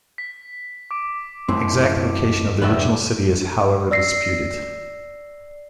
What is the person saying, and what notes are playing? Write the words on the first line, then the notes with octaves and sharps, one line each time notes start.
Exact location of the original city is however disputed.
B6
D6 D7
F#2 A2 D#3 C4
F2 C3 B4 D5 E5
D5 E6 A#6 C7